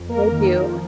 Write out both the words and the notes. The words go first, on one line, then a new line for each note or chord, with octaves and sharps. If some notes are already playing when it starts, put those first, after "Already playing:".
I do.
Already playing: F2
A#3 A#4
D#3
F3